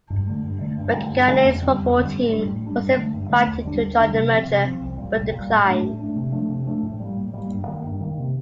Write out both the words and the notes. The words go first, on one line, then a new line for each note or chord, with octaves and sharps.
Waikanae's football team was invited to join the merger but declined.
G2
D3 A3
G2
D3 A3
G2
D3 A3
G2
D3 A3
F2
D3 G3 C4
F2
D3 G3 C4
A2
G3 D4
A2
G3 D4
G2
D3 A3
G2
D3 A3
D#2
D3 G3 D4
D#2
D3 G3 D4
C3
F3 C4
C3
F3 C4
C2
A#2 G3
C2
A#2 G3
A2
A3 D4
A2
A3 D4
C3
F3 A3 D4
C3
F3 A3 D4
A2
G3 A#3
A2
G3 A#3
G2
D#3 A#3
G2
D#3 A#3
C3